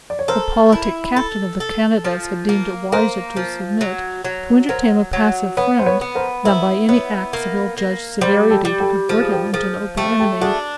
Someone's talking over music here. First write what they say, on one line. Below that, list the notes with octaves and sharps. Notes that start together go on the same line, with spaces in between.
The politic captain of the Canadas had deemed it wiser to submit to entertain a passive friend, than by any acts of ill-judged severity to convert him into an open enemy.
D5
C#5
A4 A#4 C5
E4
A4
A4
F3
A#3
A#3 A#4 C5
F3
F#3
F#3
F#3 A#4 C5
F#3
B3 B4 C#5
C5
B4 C#5
B3
A#4 C5
E4 A#4 C5
B3 B4 C#5
A#3
A#3
G3 C5 D5
G4 A4
G3
G4 A4
F3 A4
G#4
G4 A4
F3 G#4 A#4
A3 G4 A4
G4 A4
D4 F#4 G#4